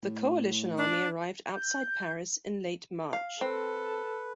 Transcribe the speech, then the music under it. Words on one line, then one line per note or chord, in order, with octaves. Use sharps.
The Coalition army arrived outside Paris in late March.
A2
D4
G6
F5
C4 A4 B4